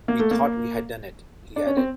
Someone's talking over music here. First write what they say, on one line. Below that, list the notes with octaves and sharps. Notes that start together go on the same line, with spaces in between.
We thought we had done it, he added.
A#3
A3
A#3
D4
C#4
C4